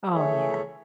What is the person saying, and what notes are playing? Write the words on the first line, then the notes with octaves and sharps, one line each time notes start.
Oh, yeah.
E3 A3 G#4 A4 C#5 E5